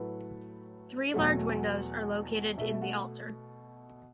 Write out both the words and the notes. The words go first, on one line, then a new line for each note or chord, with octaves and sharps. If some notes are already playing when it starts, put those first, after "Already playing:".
Three large windows are located in the altar.
Already playing: A2 F#3 A3 B4
E2 B2 F#3 A3
B2 A3 E5
E5
F#5